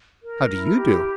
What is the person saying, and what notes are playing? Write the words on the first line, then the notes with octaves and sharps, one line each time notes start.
"How do you do?"
A#4
E4
G4